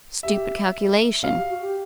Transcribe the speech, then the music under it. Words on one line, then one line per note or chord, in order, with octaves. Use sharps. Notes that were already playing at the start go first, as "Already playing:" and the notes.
Stupid calculation!
G4 E5
F#4 F5
G4
F#4
G4